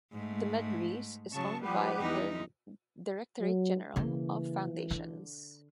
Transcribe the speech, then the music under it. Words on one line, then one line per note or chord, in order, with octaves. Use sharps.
The medrese is owned by the Directorate General of Foundations.
G#2 A3
C#3 F#3 A5 C#6
F3 G3 B3 G4 B4
E2 D#4
F#3
C#3 E3 A#3
D3